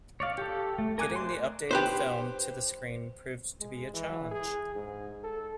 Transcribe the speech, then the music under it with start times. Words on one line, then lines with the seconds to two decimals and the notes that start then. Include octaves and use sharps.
Getting the updated film to the screen proved to be a challenge.
0.20 C#5 D5 F5
0.38 G4 A4
0.78 A3
0.98 A#4 G#5 D6 F#6
1.16 C5 D5 C6
1.71 G4 B4 C5
3.60 G#3
3.94 E3
4.31 G#4
4.75 G#2
5.24 A4